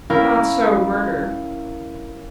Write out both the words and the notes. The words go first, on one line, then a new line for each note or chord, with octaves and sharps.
Not so, murder.
C#4 E4 A#4 F5 G5 B5